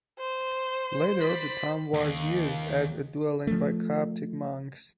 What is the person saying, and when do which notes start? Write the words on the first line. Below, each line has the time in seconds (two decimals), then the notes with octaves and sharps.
Later, the tomb was used as a dwelling by Coptic monks.
0.19 C5
1.21 D5 B5
1.94 D#2
3.47 F3 A3